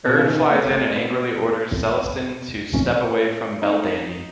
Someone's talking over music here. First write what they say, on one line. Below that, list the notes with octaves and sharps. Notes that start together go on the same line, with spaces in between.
Urd flies in and angrily orders Celestin to step away from Belldandy.
B2
C#3
D#3
B3
A3
B3
C#4
D#4